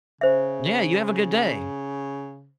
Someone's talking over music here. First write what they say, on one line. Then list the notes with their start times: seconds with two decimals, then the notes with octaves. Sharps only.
Yeah, you have a good day.
0.21 C#3 C5 E5